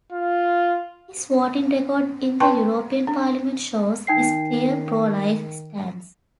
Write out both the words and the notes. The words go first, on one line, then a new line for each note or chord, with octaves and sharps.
His voting record in the European Parliament shows his clear pro-life stance.
F4
B4 G5 A5 C6 C#6
D4
D#3 D#4 G5 C7